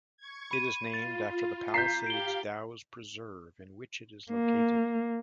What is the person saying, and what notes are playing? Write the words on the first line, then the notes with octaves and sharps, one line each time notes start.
It is named after the Palisades-Dows Preserve in which it is located.
C#6 G#6
B5 D#7
F4 A6
A#5 G6 B6 C7
G4 F5 D7 G7
A#3